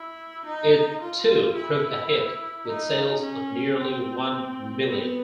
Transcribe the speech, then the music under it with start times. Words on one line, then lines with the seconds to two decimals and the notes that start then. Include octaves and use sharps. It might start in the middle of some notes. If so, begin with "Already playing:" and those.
It, too, proved a hit, with sales of nearly one million.
Already playing: E4
0.46 D#4
1.01 F4
1.56 E4
2.66 D#4
3.22 C#4
3.78 C4
4.88 B3